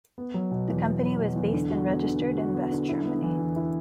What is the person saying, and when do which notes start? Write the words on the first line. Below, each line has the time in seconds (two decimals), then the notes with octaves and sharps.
The company was based and registered in West Germany.
0.18 B3
0.34 F#3
0.51 B2
0.68 E2
0.85 B3
1.02 F#3
1.19 B2
1.36 E2
1.53 D3
1.70 F#4
1.87 B3
2.04 D3
2.21 D3
2.38 F#4
2.54 B3
2.72 D3
2.89 E4
3.05 B3
3.22 E3
3.39 E2
3.56 E4